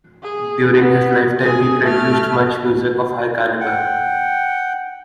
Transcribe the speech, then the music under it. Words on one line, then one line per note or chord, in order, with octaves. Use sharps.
During his lifetime, he produced much music of high caliber.
G#4
B3
G#4 G#5
A3 F6
F#5 G5